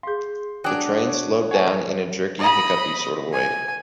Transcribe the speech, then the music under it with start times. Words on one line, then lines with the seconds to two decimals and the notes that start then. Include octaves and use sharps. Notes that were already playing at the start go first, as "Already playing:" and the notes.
The train slowed down, in a jerky hiccuppy sort of way.
0.03 G#4 F5 C6 G6
0.64 F#3 D4 G5 G#5 D6 D#6 F#6
1.09 C#5
1.51 C#5 F#5 G#5 A5
2.39 D#5 B5
3.32 G#5